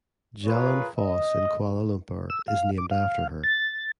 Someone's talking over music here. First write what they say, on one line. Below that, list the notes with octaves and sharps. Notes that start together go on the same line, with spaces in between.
Jalan Foss in Kuala Lumpur is named after her.
F4 G#4 A#4 B4 C#5
D#5
E6
F5
D6
F5
A6